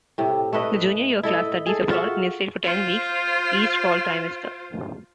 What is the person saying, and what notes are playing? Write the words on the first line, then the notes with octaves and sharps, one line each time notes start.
The Junior year class studies abroad in Israel for ten weeks each fall trimester.
A2 C3
A3 E4 B4 D#5
E4 A4 D#5
G#4 A4
F4 F#4 E5 F#5
F4 C5